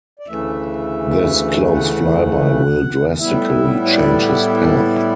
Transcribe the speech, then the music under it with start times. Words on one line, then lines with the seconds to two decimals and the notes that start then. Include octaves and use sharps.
This close flyby will drastically change his path.
0.19 D5
0.28 D2 C#3 E3 A3 E5
1.74 F#5
3.20 A2 G3 B3 E4 E5
3.85 C#5
3.93 D5